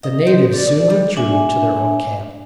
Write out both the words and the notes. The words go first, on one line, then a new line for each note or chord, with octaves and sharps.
The natives soon withdrew to their own camp.
D#5
C5
D5
D5
G3
D4 E5 G#5